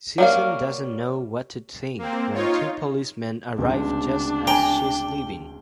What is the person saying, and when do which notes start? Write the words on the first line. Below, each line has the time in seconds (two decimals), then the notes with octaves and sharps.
Susan doesn't know what to think when two policemen arrive just as she's leaving.
0.18 F#3 G3 A#3 A#4 F5
1.99 A#3 C4
2.34 D#4 F4 C#5
3.58 D1 C#2 D4
4.47 G5 G#5 A#5